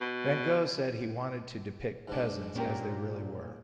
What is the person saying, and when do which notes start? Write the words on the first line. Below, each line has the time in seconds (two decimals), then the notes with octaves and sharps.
Van Gogh said he wanted to depict peasants as they really were.
0.01 B2
2.08 G#2 B2 D4
2.55 A#2 C#4 G4 A#4